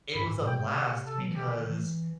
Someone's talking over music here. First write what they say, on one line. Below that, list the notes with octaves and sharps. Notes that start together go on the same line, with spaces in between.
it was a blast because
G2 B5
A2
A2
B2 G5
C3
F#5
A4
F#3
E3
D3 G4
D3
E3